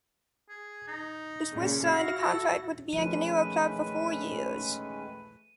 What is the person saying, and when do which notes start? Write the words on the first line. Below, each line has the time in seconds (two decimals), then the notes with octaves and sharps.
The Swiss signed a contract with the “Bianconero” Club for four years.
0.49 G#4
0.88 D#4
1.53 A#2 C#3
1.85 E4 F#4 F5 A#6
2.21 A4
2.93 D#3 F3 G#3 A3 C#4 B4 D#7